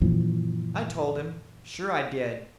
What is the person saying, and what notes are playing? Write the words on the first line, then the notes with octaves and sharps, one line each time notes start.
I told him; sure I did.
F#2 A#2 E3 F3